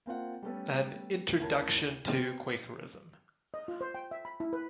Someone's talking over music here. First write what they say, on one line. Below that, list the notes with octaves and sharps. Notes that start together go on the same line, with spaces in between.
"An Introduction to Quakerism".
A#3 C4 F4 F#5
G3 A3 B3 C#4 A4 B4
D2 C#4 E4 A#4 A5 G#6
B3 C4 F6
D#5
F4
C5
G5
E5
B5
E4
B4